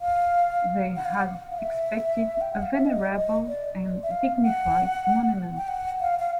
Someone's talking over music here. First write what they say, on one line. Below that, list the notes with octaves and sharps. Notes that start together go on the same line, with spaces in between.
They had expected a venerable and dignified monument.
F5
F#5
F5
F#5
F5
E5
G5
F#5
F5
E5
D#5
D#5
D5
E5
F5
F#5
G5
F#5
F5
F5